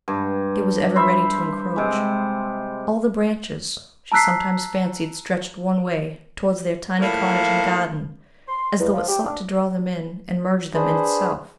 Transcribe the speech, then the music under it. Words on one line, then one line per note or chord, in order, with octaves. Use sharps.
It was ever ready to encroach. All the branches, she sometimes fancied, stretched one way--towards their tiny cottage and garden, as though it sought to draw them in and merge them in itself.
G2
C5 E5 B5
C3 G#3
A5 A#5 E6 F#6 B6 C7
A2 F3 A#3
C6
E2
F3
G4
D4
D4 G#4 B4 C5